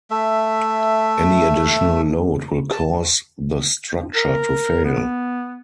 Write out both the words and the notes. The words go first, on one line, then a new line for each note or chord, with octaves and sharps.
Any additional load will cause the structure to fail.
A3 E5
A5
A#4
B3